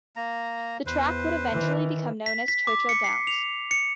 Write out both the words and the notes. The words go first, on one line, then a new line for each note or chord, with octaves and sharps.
The track would eventually become known as Churchill Downs.
A#3 A#5
E2 B4 C5
D#3 E3
B6
B6
D6
C#7
C7
F7
C#7